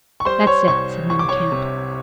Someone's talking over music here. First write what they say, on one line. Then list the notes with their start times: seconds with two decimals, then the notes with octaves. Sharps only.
"That's it," said Manicamp.
0.20 C#6
0.25 G3 C5 C6
0.47 C#5 C#6
0.68 C2 C#5 C#6
1.09 C2 C#6
1.19 D6
1.29 C#5 C#6
1.52 C3